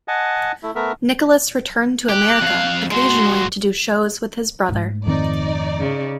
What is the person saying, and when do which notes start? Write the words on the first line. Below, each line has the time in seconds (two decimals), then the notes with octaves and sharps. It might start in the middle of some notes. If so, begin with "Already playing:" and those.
Nicholas returned to America occasionally to do shows with his brother.
0.08 D#5 F#5 G#5 A5
0.63 A3 E4
0.75 A3 B3 A#4 E5
2.10 G4 F#6
2.42 F2 F5
2.92 G#3 F#4 C6
4.69 G#2 A3
5.06 F2 D#3 C4 D#4 D5
5.80 C#3